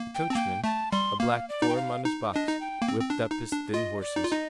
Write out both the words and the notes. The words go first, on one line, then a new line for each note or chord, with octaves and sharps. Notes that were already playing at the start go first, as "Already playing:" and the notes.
The coachman, a black form on his box, whipped up his thin horses.
Already playing: A#3
G5
C4 A5
A#3 G5
A3 A5
G3 C6
A#3 F5
D5
D#4
G5
F5
D#4
D4 D#5
D#4
G5
A#3
C4
C4
D4
D#4
D4
F4 D#5
D5
D#4
F4
D#4 D#5